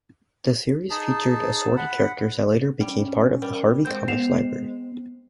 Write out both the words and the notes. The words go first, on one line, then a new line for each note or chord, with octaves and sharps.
The series featured assorted characters that later became part of the Harvey Comics library.
D#4 G#4 A5
F#5 B5
G3 C#4
G3 A#4
G#3 C4 C5 G6
B3 C7 E7 F7